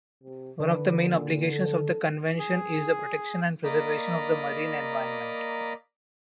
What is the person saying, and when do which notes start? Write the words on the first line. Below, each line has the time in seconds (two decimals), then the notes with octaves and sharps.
One of the main obligations of the Convention is the protection and preservation of the marine environment.
0.23 C3
0.60 D3 B4
1.08 A#2
1.51 A4
2.39 G#4
3.64 A#3 D5 D#5 A#5 B5